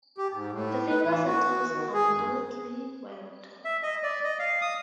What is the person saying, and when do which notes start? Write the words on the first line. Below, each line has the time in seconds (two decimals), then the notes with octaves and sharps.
The fingers and toes are moderately webbed.
0.18 G4
0.33 G#2
0.52 A2
0.89 B4
1.05 E3
1.26 F#4
1.71 D#3
1.94 G#4
2.15 G2
3.65 E5
3.83 D#5
4.03 D5
4.24 D#5
4.39 F5
4.62 D#6